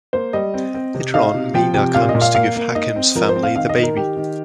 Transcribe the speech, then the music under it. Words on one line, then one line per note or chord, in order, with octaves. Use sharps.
Later on, Meena comes to give Hakim's family the baby.
A#3 C5
G3 D#5
C4
C4
C3
D#4 F5
C3
F3 G5
C3 G5
A#2 F5
D#5
A#2
F5
A#3 F5
A#3
D#4 D#5
C4
F3 A#4
C5
C4
F5
D#3 F5
D#5
D#3
A#4
D#3 G4
D#3